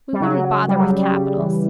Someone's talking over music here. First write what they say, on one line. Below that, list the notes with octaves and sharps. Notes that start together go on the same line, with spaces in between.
"We wouldn't bother with capitals."
G3
C#3 F#3
F#3
C#3 G3
F#3
F#3
G3
C#3
E3